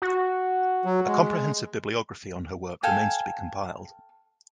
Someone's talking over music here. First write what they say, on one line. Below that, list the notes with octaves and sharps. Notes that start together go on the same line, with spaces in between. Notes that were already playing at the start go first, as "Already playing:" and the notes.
A comprehensive bibliography on her work remains to be compiled.
F#4
F#3
G#3
A4 F5 G5 G#5